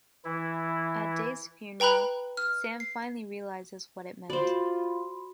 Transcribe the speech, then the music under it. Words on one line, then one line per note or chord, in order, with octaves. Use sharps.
At Dave's funeral, Sam finally realizes what it meant.
E3 E4
B4 G5 A#5 B5 F#6
F6
C7
F4 F#4 C5 D5 B5 C6